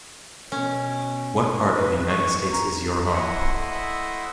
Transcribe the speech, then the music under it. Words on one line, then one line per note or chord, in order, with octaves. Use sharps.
What part of the United States is your home.
B2 C#4
B4
C#6
A#5
A3 E4 C5 D#5 E5 F#5